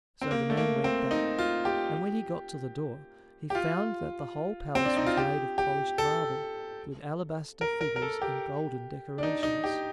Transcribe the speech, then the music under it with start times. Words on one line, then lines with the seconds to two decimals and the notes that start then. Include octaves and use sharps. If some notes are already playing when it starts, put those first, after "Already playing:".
So the man went back, and when he got to the door, he found that the whole palace was made of polished marble, with alabaster figures and golden decorations.
0.22 C4
0.31 A#3
0.50 A3
0.57 A#3
0.84 C4
1.11 D#4
1.39 F4
1.65 G4
3.50 G4
3.55 F4
4.75 C4
4.85 D4
4.97 D#4
5.06 F4
5.17 G4
5.58 G4
5.98 A4
7.61 A#4
7.81 A#4
7.96 A#4
8.02 A4
8.22 G4
9.18 D4
9.23 D#4
9.43 D#4
9.64 G4